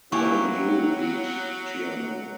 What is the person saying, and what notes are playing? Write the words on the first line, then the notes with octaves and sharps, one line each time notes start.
Wang Yue beat Jianu.
F#3 A#3 E4 G4 G#5 C#6